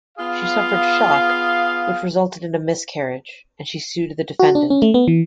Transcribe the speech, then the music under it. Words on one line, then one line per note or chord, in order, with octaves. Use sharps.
She suffered shock which resulted in a miscarriage, and she sued the defendant.
B3 F4 G#4 F5
F#4
D4
C#4
A3
B3
E3